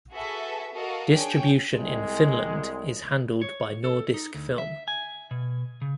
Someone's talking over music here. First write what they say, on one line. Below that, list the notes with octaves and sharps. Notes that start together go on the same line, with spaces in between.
Distribution in Finland is handled by Nordisk Film.
F#4 G#4 A4 B4 E5
F#4 A4 A#4 D#5 F5
D4 G#4 C#5 G5
C2 G#3
C#5
A4
D#4
D2
E5
G#5
B2
C#3